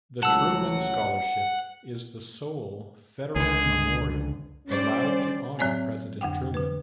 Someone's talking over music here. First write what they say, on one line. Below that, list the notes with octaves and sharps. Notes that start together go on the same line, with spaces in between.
The Truman Scholarship is the sole federal memorial allowed to honor President Truman.
C#2 A2 F#3 F#5 A5 E6
C#2 D3 G#4
G3 C#4 C5 D5
A2 F#3 C4 C#5 D5 G#5
F2 D3 F#5 G5
D3 B4